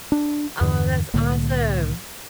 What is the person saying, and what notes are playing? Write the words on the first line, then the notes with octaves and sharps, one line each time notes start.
Oh, that's awesome.
D4
E2 G2 D3 E3
C2 A2 D3 A#3